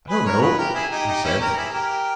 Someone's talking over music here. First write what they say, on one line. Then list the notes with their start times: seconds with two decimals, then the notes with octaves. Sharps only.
"I don't know," he said.
0.09 G#4 B4
0.25 A#4 C#5
0.42 G#4 B4
0.58 G4 A#4
0.74 E4 G#4
0.91 D#4 G4
1.07 D#4 G4
1.24 C#4 E4
1.40 G4 A#4
1.56 E4 G#4
1.73 G4 A#4